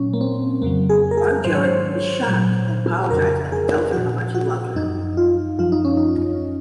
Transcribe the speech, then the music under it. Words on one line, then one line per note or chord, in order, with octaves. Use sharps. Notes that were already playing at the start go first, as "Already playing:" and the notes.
Arjun is shocked and apologizes and then tells her how much he loved her.
Already playing: A#2 F#3 C#4
A#3
C4
F2 C#3 F#3 A#3
G#4
A#4
G#4
G#2 D#3 F#3 C5
C#5
C5
A#2 F#3
F2 C#3 F3 A#4
G#4
A#2 F3 F#4
F#4
F#2 F3 D#4
F4
F#2 F3 F4
D#4
C#4
D#4